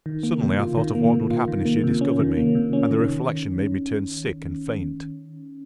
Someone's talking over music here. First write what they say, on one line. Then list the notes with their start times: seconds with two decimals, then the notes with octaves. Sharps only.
Suddenly I thought of what would happen if she discovered me, and the reflection made me turn sick and faint.
0.06 D#3
0.23 A#3
0.41 C3
0.59 F4
0.77 D#3
0.95 A#3
1.13 C3
1.31 F4
1.48 D#3
1.65 A#3
1.84 C3
2.01 C#4
2.19 D#3
2.37 A#3
2.55 C3
2.73 C#4
2.91 D#3